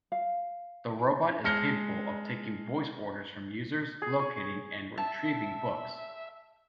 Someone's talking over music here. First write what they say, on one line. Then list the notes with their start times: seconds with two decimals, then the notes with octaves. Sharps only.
The robot is capable of taking voice orders from users, locating, and retrieving books.
0.12 F5
1.44 G#3 A5 F6 A#6 C#7 G7
4.02 G#4
4.19 C#6
4.98 E5 A5